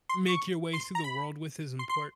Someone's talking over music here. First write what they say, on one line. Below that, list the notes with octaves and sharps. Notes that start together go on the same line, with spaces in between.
make your way through the world with is important.
C6
C#6
C6
A#5
B5
C6
C6